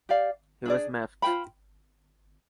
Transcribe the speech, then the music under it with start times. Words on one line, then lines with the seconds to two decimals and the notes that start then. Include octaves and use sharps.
He was miffed.
0.09 G4 D5 F5
0.65 D4 G#4 D5
1.22 F4 C5 G5 B5